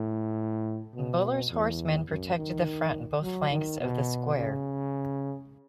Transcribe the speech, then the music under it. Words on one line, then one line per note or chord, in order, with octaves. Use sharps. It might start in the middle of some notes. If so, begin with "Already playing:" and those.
Buller's horsemen protected the front and both flanks of the square.
Already playing: A2
B2
E2
F#2
D#3
F#3
D#3
B2
C#3